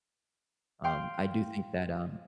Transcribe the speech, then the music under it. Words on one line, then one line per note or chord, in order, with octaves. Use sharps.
um, I do think that, um,
F5 G5 C6